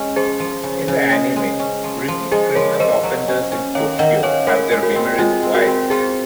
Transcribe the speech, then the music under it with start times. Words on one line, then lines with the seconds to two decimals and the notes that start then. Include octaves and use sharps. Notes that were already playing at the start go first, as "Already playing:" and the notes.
In the anime, repeat criminal offenders in Tokyo have their memories wiped.
Already playing: G#3 C#4
0.16 F3 G#4 C5
0.40 F3
0.63 C#3
0.88 C#3
1.11 G#3
1.36 G#3
1.60 C#4
1.84 F3
2.08 F3
2.31 G#3 G#4 C5
2.55 F3 A#4 C#5
2.80 F3 C5 D#5
3.03 F#3
3.28 C#4
3.52 C#4
3.75 D#3 C#5 F5
3.99 D#3 D#5 F#5
4.23 C#4 C#5 F5
4.47 G#3 A#4 C#5
4.71 G#3
4.83 F#4 A#4
4.95 C4
5.18 G#3 F4 G#4
5.43 C4
5.54 F#4 A#4
5.66 C4
5.90 F4 G#4 C5